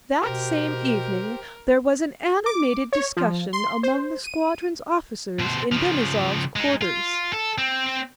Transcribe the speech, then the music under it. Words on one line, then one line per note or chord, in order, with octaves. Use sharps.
That same evening there was an animated discussion among the squadron's officers in Denisov's quarters.
B2 G4 A#4 C5 G5
D6
C#5
F3
C6
C5
D#7
B2 C5
C#3 F3
G#3 D#4
F4
A4
C4